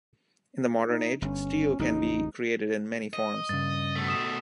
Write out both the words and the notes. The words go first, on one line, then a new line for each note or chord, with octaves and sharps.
In the modern age, steel can be created in many forms.
D#4
G1 C#4
A1 F2 C#3 D#4
D#5
G2 C#3 A6
B2 A3
D#6 E7